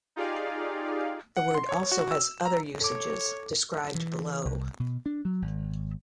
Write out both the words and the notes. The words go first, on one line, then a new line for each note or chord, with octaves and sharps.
The word also has other usages, described below.
D#4 F4 G4 G#4 D5 F5
F#5
C6
C#5
F#4
E6
A#5
A4 C#5 D6
E3
C2
B2
D4
F#3
G#1